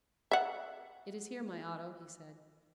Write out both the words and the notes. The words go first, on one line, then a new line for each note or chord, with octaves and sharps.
"It is here, my Otto," he said.
E5 F#5